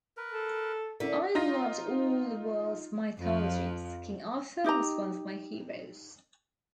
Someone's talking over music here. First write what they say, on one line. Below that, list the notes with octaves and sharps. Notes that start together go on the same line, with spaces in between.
I loved all the world's mythologies; King Arthur was one of my heroes.
A#4 B4
A4
D3 C#4 E4 A#4 E5
D#4 F4 A#6
F2 F3
D#4 G4 D#5 A#5